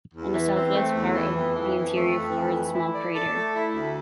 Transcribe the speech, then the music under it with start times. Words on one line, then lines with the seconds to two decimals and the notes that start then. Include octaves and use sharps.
On the southwest part of the interior floor is a small crater.
0.13 E2
0.33 E3
0.54 C4
0.74 A3
0.94 E2
1.15 E3
1.34 F2
1.55 E3
1.75 F2
1.95 A3
2.14 F2
2.35 E3
2.55 A3
2.73 E4
2.94 D5
3.14 A4
3.34 A3
3.55 E4
3.74 D2